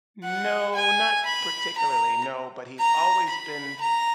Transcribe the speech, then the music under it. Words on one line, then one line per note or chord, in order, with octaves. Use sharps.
No, not particularly, no, but he's always been
F#5
G#5
B5
A#5
A#5
B5
A#5